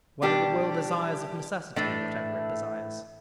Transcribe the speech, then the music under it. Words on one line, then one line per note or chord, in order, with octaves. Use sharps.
Whether the Will Desires of Necessity, Whatever It Desires?
B2 G3 D4 G4
A2 E3 A3 D4